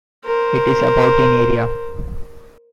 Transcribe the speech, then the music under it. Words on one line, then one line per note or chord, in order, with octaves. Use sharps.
It is about in area.
A#4 C5